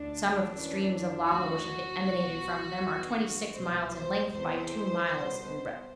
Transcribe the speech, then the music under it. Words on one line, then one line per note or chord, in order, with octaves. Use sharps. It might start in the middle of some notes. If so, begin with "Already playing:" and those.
Some of the streams of lava which have emanated from them are twenty-six miles in length by two miles in breadth.
Already playing: D2 D3 D4
F#2 E3
D2 D3 F#4
C2 B2
E2 D3
C2 B2 C5
C5
E2 C3 E3 C5
C2 B2